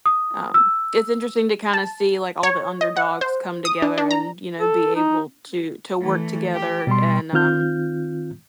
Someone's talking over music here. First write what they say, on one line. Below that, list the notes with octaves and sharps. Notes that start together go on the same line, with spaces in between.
um, it's interesting to kinda see, like, all the underdogs come together and, you know, be able to to work together and, um
D#6
E6
A5
C#5
D#5
F#5
C5
D#6
D4
D4
A#5
A4
D#4
E3 A3
G4
B2 G3 C6
D#3 C4 F4 F6 G6